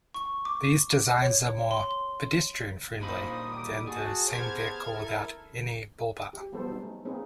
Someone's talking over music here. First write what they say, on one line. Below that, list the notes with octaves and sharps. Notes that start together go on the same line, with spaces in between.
These designs are more "pedestrian friendly" than the same vehicle without any bullbar.
C#6
D6
C#5
C6
A#2 D4 D#4 F4 C5 B5 D#6
G3 D6
F#4 G#4 A5
B3 G4 C5 A5 F6 G#6
E4 A4 A#4
G4
E3 F#3 G3 B3 A4 C5
C#4 D#4
A3
A#3 C4 C#4 D#4 G#4 B4